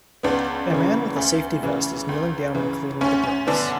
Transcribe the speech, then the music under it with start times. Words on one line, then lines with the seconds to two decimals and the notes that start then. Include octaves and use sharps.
A man with a safety vest is kneeling down and cleaning the bricks.
0.23 C#2 B3 D4
0.70 C#3 E3
1.16 D2
1.63 C#3 E3
2.09 C#2
2.55 C#3 E3
3.01 D2 C#4
3.24 C#4
3.47 D3 B3 D4